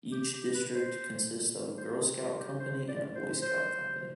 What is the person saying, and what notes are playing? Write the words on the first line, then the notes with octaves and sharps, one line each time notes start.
Each District consists of a girl scout company and a boy scout company.
G4
G4
B4
C5
C5
G#4
F4
G4
C5
D5
C5
C5